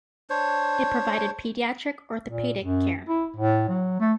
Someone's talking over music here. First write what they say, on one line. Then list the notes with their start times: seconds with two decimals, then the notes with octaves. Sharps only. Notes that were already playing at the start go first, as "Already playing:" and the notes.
It provided pediatric orthopaedic care.
0.30 D4 C5 C#5
2.28 A#2
2.58 F#2
3.09 E4
3.36 A2
3.69 F#3
4.00 A3